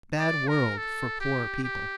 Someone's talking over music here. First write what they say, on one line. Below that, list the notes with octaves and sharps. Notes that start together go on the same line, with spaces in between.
"Bad world for poor people."
D5
A#4
A4
G4
G4